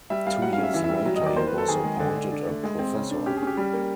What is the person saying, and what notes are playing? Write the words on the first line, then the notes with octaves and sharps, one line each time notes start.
Two years later he was appointed a professor.
G3 E5
G3 F5
F#3 F#5
F5
C#4
E5
E3 E5
E5
G3
E5
F#3
D#5
D#3
D5
A#3 C5
B4
F#3
A4
D#3 G#4
G#3
D3
D3
D4
A3
G#3
C4
C#3
D4
C#4 G4
G#4
C#4 G4
G3
A#3